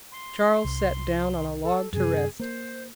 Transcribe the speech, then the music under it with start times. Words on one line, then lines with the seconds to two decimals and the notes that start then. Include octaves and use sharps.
Charles sat down on a log to rest.
0.12 C6
0.65 C2
1.63 A4
1.93 F#2 C3 G#4
2.40 A#3 C5